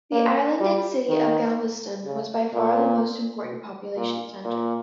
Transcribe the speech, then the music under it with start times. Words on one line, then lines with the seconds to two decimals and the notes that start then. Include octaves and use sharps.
The island and city of Galveston was by far the most important population center.
0.12 A#3
0.60 G3
1.09 D#3
2.05 C#3
2.53 A#2
3.97 A#2
4.45 A#2